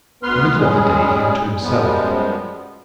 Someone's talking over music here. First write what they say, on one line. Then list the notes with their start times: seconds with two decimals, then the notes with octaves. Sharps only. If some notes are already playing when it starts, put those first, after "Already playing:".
The middle of the day he had to himself.
0.23 D2 B3 B4 C6 F6
0.58 G3 G#3 C#4 G#4
1.61 F#2 F3 G3 G#3 B3